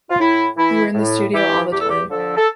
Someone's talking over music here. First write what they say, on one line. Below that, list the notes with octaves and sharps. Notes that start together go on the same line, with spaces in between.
We were in the studio all the time!
F4
A2 E4
E3 E4
A2
E3 G4
E2 G4
A4
G4
D3 F3 A4
A4